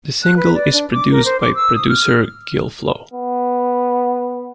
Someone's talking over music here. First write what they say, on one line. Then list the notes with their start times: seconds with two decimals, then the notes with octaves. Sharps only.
The single is produced by producer Gilflo.
0.23 F#6
0.37 B4
0.54 D5
0.73 D4
0.92 D6
1.11 A#4
1.25 C5
1.41 D6
1.55 E6
1.75 D#6
1.89 F6
3.14 B3